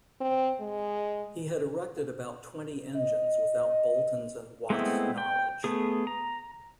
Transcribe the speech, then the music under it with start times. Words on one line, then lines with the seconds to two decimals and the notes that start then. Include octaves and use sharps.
He had erected about twenty engines without Boulton's and Watts' knowledge.
0.21 C4
0.60 G#3
2.96 D#5
4.70 G#3 A3 B3 C4 E4
5.18 G5
5.64 A3 B3 G#4
6.07 A#5